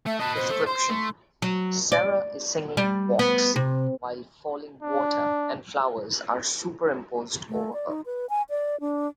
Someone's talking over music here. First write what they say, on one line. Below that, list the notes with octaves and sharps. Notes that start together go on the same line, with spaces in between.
Description: Sarah is singing "Vox" while falling water and flowers are superimposed over her.
A3 E5
B4 D#5 A5
C5
A3
C5 C6
A3
F#3
D5
G3
B3
C3
D4
A3
D5
D#4
B4
G#5
D5
D4